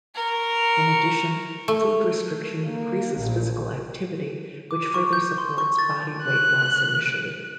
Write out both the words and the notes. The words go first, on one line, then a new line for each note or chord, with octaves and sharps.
In addition, food restriction increases physical activity which further supports body weight loss initially.
A#4 C#6
A3
A#3
A#1
D6
C#6
G6
C6
C#6
A6
F#6